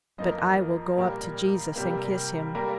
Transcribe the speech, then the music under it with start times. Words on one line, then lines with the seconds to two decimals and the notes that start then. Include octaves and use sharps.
But I will go up to Jesus and kiss him.
0.18 F2 F3 A#3 D#5
0.97 A#2 G3 A#3
1.76 C3 G3 A#3
2.55 G3 A#3 A#4